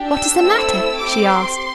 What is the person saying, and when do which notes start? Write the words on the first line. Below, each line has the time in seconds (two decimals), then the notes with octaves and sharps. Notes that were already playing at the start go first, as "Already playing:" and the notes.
"What is the matter?" she asked.
Already playing: D4 G4
0.11 E6
0.40 A3 C4 E4 A4
0.98 C4 G4 D6
1.27 C6